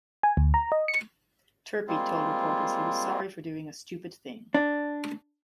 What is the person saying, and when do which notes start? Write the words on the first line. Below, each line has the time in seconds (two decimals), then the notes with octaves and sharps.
Turpie told reporters he was sorry for doing a "stupid thing".
0.23 G#5
0.37 D2
0.54 A#5
0.72 D#5
0.88 C#7
1.88 G3 G#3 A#3 C4 F4
4.54 D4